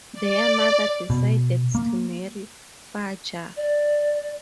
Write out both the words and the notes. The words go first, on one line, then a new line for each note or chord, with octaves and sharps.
Their mother decides to marry Fajar.
D5
B2
A#3
D5